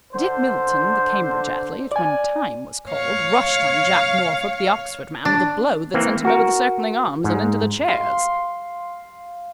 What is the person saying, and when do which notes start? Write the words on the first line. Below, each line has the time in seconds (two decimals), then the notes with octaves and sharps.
Dick Milton, the Cambridge athlete, when "time" was called, rushed on Jack Norfolk, the Oxford man, with a blow that sent him over the circling arms and into the chairs.
0.14 D3 C5
1.92 D5 G#5
2.89 C#5 F5
5.25 D4
5.94 E3 A#3 C4
6.25 F#4 A#4
7.24 G#2
7.88 F5 C6